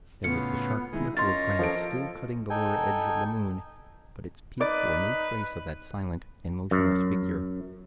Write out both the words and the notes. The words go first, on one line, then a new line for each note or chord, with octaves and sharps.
There was the sharp pinnacle of granite still cutting the lower edge of the moon, but its peak bore no trace of that silent and motionless figure.
A2 C#3 B3 F4 C#7
D#3 G#3 E4
C#4 F4 A#4 D#5 C6 A6
F3 A4 D7
D#4 A4 G5 G#5
D#4 B4 D5
F#2